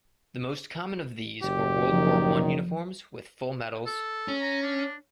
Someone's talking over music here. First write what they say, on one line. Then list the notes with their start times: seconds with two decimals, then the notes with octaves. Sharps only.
The most common of these were World War One uniforms with full medals.
1.43 F#1 G4
1.92 D#3 F3
3.86 A4
4.28 C#4
4.41 A#5
4.63 D4